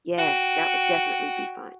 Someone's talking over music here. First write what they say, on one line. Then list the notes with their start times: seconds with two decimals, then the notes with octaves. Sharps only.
Yes, that would definitely be fun.
0.18 F#4 G5